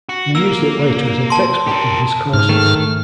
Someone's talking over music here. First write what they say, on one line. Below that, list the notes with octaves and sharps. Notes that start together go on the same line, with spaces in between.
He used it later as a textbook in his courses.
F#4
A#3 E6
A5 C6
G4 A#4
G#2 F6
D#3 A3